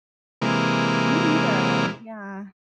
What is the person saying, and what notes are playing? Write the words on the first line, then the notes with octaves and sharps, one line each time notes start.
Me neither, yeah.
C3 E3 G#3 A#3